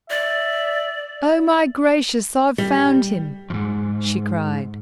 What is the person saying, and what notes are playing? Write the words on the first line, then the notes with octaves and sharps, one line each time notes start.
"Oh, my gracious, I've found him!" she cried.
D5 E5
G3
F2 G#2